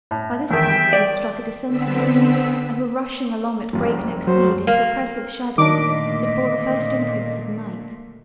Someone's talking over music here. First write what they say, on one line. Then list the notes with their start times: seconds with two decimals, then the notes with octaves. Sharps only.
By this time they had struck a descent in the road and were rushing along at breakneck speed into oppressive shadows that bore the first imprints of night.
0.11 A2
0.51 E2 D#3 E5 G5
0.93 D5
1.67 D3 B3 C4 E6 B6
3.73 F#1 C2 F2
4.27 F#3 C5
4.67 A#3
5.58 A#2 D3 D#3 A3 D4 D#5 D6